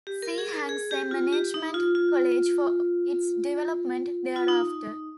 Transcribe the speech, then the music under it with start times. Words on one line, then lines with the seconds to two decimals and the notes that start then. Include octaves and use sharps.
See Hang Seng Management College for its development thereafter.
0.07 G4
0.22 A#4
0.38 G#4
0.54 A#4
0.69 G#4
0.91 G4
1.11 F4
1.33 G4
1.54 D#4
1.74 F4
1.95 F4
4.36 F4
4.48 D#4